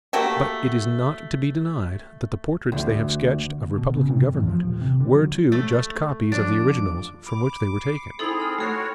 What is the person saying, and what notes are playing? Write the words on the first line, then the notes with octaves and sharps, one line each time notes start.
But it is not to be denied that the portraits they have sketched of republican government were too just copies of the originals from which they were taken.
A3 A#3 F#4 G4
D2
B2
C#3
C3
F#2
A1
F3
D#1
C3
D3
F#3
A3
F2 D4 D6
B5 D6
C7 C#7
C4 D#4 E4 G#4 A4 B5 C6
A5 F6
A3 C4 F#4 A4 C#5 B5 F#6 C#7